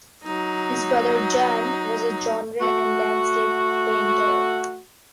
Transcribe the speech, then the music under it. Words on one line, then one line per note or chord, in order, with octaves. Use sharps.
His brother Jan was a genre and landscape painter.
F#3 D#4
A3 F#4